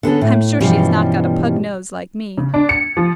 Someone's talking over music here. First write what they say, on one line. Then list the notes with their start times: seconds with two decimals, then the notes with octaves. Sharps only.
I'm sure she has not got a pug-nose like me.
0.03 D3 B3 C#4 A4
0.21 A2
0.60 G2 B2 E3 F3 G3 C#4
2.38 C#3
2.54 D4
2.69 C#7
2.97 F3